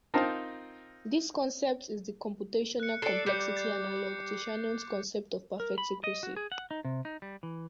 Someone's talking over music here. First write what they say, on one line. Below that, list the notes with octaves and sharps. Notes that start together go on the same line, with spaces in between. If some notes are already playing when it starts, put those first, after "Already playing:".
This concept is the computational complexity analogue to Shannon's concept of perfect secrecy.
C4 D#4 F4 A#4 G5 A5
F#6 C#7
A4 D5 C7
G3 D6 G6 C#7
A6 C7
A#4
B5
D#5
F#4
G#4
F#5
D#4
C3
D#4
G3
E3